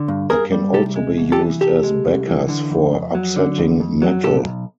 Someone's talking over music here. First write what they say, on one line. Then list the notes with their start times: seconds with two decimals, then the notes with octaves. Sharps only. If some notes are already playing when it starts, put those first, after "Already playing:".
They can also be used as backers for upsetting metal.
Already playing: D3
0.08 G2
0.30 G2 G#4 A#4
0.52 G3
0.73 C3 G4 A4
0.96 G#3
1.18 C2
1.32 G4 A4
1.40 E3
1.61 C3 G4 A4
1.83 G#3
2.05 C2
2.27 E3
2.49 D3
2.71 F2
2.93 F2
3.15 F#3
3.36 D3
3.58 F2
3.80 F2
4.02 F#3
4.24 A#2 G4 A4
4.46 B1